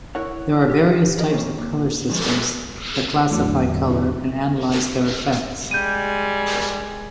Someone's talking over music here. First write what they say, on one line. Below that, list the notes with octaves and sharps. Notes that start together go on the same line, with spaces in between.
There are various types of color systems that classify color and analyse their effects.
E4 A#4 C#5 F#5
G4
G#4 A#4 C#5 D#5
B2 D#3 G3 A#3 C4 C#4
A#2
A2 F3 G#3
E2 A2 D3 F#3 D4
G3 G#3 G#5 G6 D#7